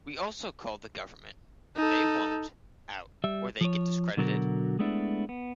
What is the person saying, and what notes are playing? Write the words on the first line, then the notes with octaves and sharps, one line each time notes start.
We also called the government, but they won’t, out or they get discredited.
D#4 A4
G3 E5
F3 C#5
B2 D3 F#3 F#4 A#4
G#3 A3 B3 D4 E4
B3